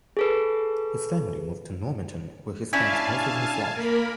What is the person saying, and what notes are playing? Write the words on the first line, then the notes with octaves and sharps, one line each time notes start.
His family moved to Normanton where he spent most of his life.
G#4 A4 B4
C#4 D4 E4 F5 G#5 A5
A#3 A#4 B5